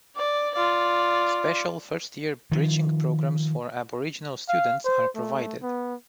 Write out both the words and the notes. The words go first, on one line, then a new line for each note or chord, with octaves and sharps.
Special first-year bridging programs for Aboriginal students are provided.
D5
F4 D5
D#3 F3
F5
C5
A3
B3